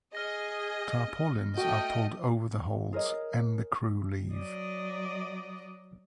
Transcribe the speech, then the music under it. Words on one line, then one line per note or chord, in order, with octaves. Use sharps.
Tarpaulins are pulled over the holds and the crew leave.
G#4 D#5 F6 A#6
A3 F#4 D#5 G5
G#4 A#4 C#5 D#5
F#3 D5 D#5